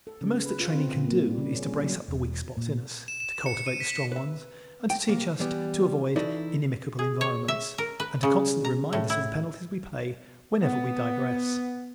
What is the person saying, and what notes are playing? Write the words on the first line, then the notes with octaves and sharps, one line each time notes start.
The most that training can do is to brace up the weak spots in us; to cultivate the strong ones; to teach us to avoid inimical environments; and to constantly remind us of the penalties we pay whenever we digress.
A4
C#3
B4
F4
C4
A#2
A#3
G3
C#3
C#4
G3
F#3
E1
A#2
E7
E7
C#7
D#7
B6
B4 E5
G5
C2 A#3
E3 G3 B3
E3 D#4 E4 F#4 A4 D5
G#4
C#5
E5
A#4
B4
C#3
A#5
A2
E4
B3